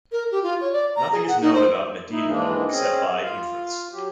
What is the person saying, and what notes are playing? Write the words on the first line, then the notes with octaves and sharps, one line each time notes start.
Nothing is known about Mendinho except by inference.
A#4
G4
F4
C#5
D5
A#5
G#4
F#5
D#4
C5
D#4 E4
G#2 E3 G#3 A#3 D4
C4 C#4 G#4 D#5
F4 F5
F#3 G4